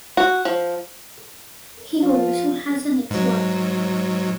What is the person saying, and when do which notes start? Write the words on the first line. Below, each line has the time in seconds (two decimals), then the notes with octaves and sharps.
He also has an ex-wife.
0.17 F#4
0.45 F3
2.01 F3 F4
3.10 G#2 F#3